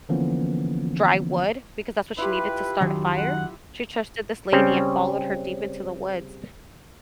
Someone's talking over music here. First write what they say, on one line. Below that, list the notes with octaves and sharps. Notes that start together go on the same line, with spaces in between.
dry wood- because that's what she needed to start a fire- she trusted this lady, and followed her deep into the woods,
D3 E3 F3 A#3 B3 C#4
E4 F4 G4 B4
F#2 D#3 F#3
F#5
C#3 G3 C4 C#4